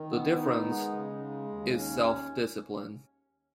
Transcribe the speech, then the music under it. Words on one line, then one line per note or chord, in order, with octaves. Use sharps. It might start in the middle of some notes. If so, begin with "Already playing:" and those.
The difference...is self-discipline.
Already playing: D#3
B3
D#4
G#3
C#3
G#3
D#2
C#4